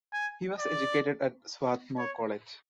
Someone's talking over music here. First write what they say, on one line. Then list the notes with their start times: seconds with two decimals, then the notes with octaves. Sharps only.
He was educated at Swarthmore College.
0.13 G#5
0.59 D5
1.98 C#5